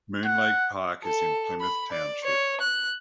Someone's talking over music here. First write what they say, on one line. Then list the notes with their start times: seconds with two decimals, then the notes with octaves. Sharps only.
Moon Lake Park is in Plymouth Township.
0.24 F#5
1.04 A4
1.61 B5
1.92 D5
2.24 C#5
2.61 F#6